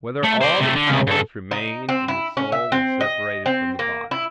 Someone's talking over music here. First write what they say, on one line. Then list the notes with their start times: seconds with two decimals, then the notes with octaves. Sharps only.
Whether All the Powers Remain in the Soul When Separated from the Body?
0.23 A3
0.41 C5 D5
0.60 C3 A3
0.75 D3
0.90 C#2 C3
1.07 G2 A4
1.51 D#4
1.89 C4
2.08 E4
2.37 C#4
2.52 E5
2.72 C4
3.01 D#5
3.46 C4
3.79 A#3
4.11 E4